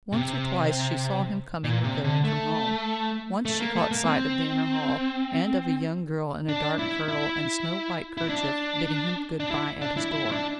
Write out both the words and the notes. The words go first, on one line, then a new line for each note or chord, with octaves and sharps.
Once or twice she saw him coming or going from home. Once she caught sight of the inner hall, and of a young girl in a dark kirtle and snow-white kerchief bidding him good-bye at his door.
C3
A#2
C3
D3
A3
A3
A#3
A3
A#3
C4
D4
E4
E4
E4
D4
D4
E4
D4
E4
E4
E4
D4